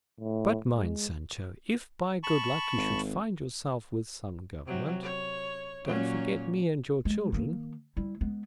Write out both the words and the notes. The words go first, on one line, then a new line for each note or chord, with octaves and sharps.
But mind, Sancho, if by good luck you should find yourself with some government, don't forget me and your children.
A2
G#3
A5 B5 C#6
G#1
C3 F#3
C#5
A#2 F#3 C#4
G#3
D#3 A#3
G3 E4
G#3 B3